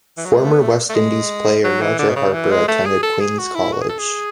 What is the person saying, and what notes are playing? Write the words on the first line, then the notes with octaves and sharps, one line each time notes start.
Former West Indies player Roger Harper attended Queen's College.
E3
F#3
G#3
A3
B3
A3
A3
G#3
F#3
E3
D3
B2
C#3
E3
G#3
A3
G#4
A4
G#4
F#4
E4
F#4
G#4
A4
G#4